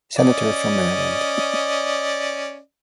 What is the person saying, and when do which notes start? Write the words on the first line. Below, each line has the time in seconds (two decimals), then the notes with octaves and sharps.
Senator from Maryland.
0.18 C#4 D5 D#5